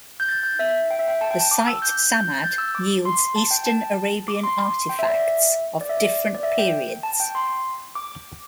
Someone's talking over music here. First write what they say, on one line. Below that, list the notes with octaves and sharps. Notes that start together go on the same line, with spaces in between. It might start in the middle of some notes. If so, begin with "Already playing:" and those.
The site Samad yields eastern Arabian artefacts of different periods.
G6
A6
G6
E5
G5
E5
G5
A5
G5
A5
D6
E6
G6
G6
A6
G6
E6
D6
C6
A5
G5
A5
D6
C6
C6
G5
E5
D5
E5
D5
E5
D5
D5
E5
G5
A5
G5
C6
D6